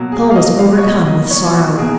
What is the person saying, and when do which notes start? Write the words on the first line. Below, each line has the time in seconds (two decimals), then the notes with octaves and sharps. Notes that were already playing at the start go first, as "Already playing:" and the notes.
Saul was overcome with sorrow.
Already playing: B2 F#3 A#3
0.12 G#4
0.31 F5
0.35 D#5
0.59 F5
0.78 C#5
0.82 B2 F#3 A#3 D#5
1.07 D#5
1.30 C#5
1.46 F4
1.54 F#4
1.76 B2 A#3 G#4